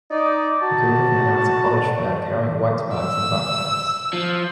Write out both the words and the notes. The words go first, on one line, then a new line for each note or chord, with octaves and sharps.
A group of men are at a college fair carrying white bags and backpacks.
D#4 D5
F#4 A5
E6
F3